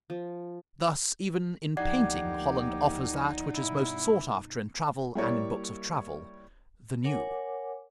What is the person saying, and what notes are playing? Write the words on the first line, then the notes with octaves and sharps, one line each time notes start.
Thus even in painting Holland offers that which is most sought after in travel and in books of travel: the new.
F3
D2 F3 A#3 D#4 G4 D5 F#5 G#6
G2 B2 E4
G3 A#3 E4 A#4 C#5 D5
A#4 C#5 F#5 G#5 D6